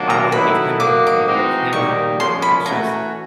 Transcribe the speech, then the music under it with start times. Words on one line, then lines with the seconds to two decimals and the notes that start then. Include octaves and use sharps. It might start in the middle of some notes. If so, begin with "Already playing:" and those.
I wanna give him company and make him happier. It's just
Already playing: C3 D#3 F#3 A#3 D4
0.10 A#5
0.32 D#3 F#3 B3 E4 A4 B5
0.79 B2 F#3 A#3 D#4 F#4 D6
1.07 D6
1.26 E3 G#3 C4 D#4 F#4
1.73 D#3 G3 A#3 D#4 G4 C#6
2.19 A#2 F3 G#3 C#4 C6
2.42 B5
2.66 E3 A3 C#4 F#4 A#5